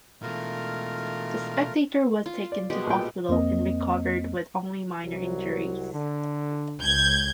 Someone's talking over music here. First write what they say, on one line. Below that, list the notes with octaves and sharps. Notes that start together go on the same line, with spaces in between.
The spectator was taken to hospital and recovered with only minor injuries.
B2 E3 A3 F4 A#4
F4
D5
B2 G#3 G4
A#1 G5
F2 A#3 C4 D#5
C2 F#3
D3
C#2 G6 G#6